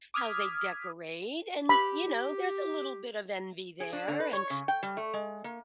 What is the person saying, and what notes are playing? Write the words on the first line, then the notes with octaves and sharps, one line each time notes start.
how they decorate, and, you know, there's a little bit of envy there and
D6 D#6 F6 G#6 B6
G4 B5
G#4
D4
D3
B4
C#5
C#3
G5
G3
A3
G#3
A#3